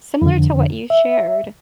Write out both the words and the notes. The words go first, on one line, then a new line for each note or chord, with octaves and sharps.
Similar to what you shared
F2 D3
E5